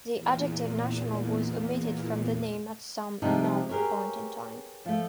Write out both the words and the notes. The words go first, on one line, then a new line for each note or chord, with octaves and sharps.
The adjective "National" was omitted from the name at some unknown point in time.
E2 A#2
C3 F3 G3 D4 D#4
G4 G#4 A#4 B4 C#5
F3 A3